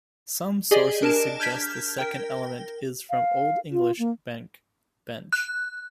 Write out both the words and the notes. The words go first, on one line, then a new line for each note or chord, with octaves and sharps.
Some sources suggest the second element is from Old English "benc" "bench".
G4 G#4 D5 D#5 G#5
D4 A#4 A5 D7 E7
F6 G6 G#6 B6
A#4 G5
F5
F4
A#3
F#6